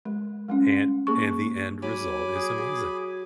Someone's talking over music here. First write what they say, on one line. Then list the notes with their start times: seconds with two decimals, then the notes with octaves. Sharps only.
and and the end result is amazing.
0.05 G#3
0.48 G3 G#3 C#4
1.07 A#3 G#4 C#6
1.82 F#3 G#5 B5 D6
2.33 G#4
2.58 F#4 G#4